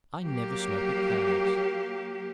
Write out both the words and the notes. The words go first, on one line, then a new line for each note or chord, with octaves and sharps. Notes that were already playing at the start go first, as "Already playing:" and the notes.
"I never smoke at cards."
F#3 A#3 G4